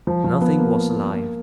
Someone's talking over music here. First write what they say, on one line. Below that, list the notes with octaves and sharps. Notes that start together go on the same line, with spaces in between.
Nothing was alive.
F3
F3
B3
A#3
A#3